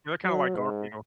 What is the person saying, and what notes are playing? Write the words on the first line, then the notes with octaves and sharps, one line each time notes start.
They're kinda like Garfield.
F#3
G#2